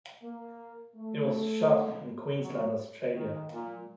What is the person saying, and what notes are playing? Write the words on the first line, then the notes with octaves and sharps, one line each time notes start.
It was shot in Queensland, Australia.
A#3
A3
F#3
D#3
A#2